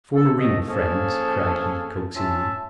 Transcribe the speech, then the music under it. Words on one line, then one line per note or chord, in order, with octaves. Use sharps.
"Form a ring, friends," cried he, coaxingly.
A4
D#2 F3 A3 D#5
F3 A#3 C#4 G#4 A4
C#4 F4 E5 A5